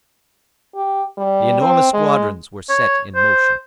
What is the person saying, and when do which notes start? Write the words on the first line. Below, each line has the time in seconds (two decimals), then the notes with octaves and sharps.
The enormous squadrons were set in motion.
0.75 G4
1.18 G3
1.61 C4
1.93 G#3
2.70 C#5
3.15 C5